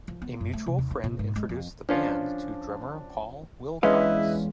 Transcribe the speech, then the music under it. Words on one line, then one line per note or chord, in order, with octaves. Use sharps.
A mutual friend introduced the band to drummer Paul Wilcox.
F3
B3
F#2
A3
C3
D#2
D#4
A#2
G#2
G#3
F2
F3 C#4 D4 F4
E2 G#3 C#4 D4 E4 B4 D#5 F5